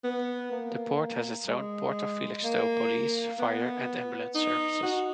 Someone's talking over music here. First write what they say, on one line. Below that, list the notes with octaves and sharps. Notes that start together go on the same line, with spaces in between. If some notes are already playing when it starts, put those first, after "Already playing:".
The port has its own Port of Felixstowe Police, fire, and ambulance services.
B3
A#3
G#3
A#3
B3
D#4
F#4